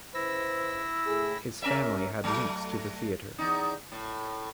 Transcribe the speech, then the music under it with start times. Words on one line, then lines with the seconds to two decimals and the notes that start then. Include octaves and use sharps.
His family had links to the theatre.
0.14 C#3 E4 B4 C5 E6 A#6
1.05 A2 G#4
1.62 C#4 A#4 E5
2.24 F#3 A3
3.38 E2 D#4
3.92 A2